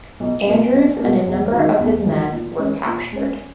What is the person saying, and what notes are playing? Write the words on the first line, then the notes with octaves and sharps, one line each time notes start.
Andrews and a number of his men were captured.
B1
B2 A#3
B1
B2 A#3
E2
D#3 G#3 D#4 F#4
E2
D#3 G#3 D#4 F#4
A#2
G#3 C#4
A#2
G#3 C#4